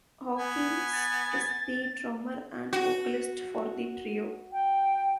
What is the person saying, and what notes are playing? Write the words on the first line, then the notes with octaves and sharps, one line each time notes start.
Hawkins is the drummer and vocalist for the trio.
B3 G#5
A6
F#4
G5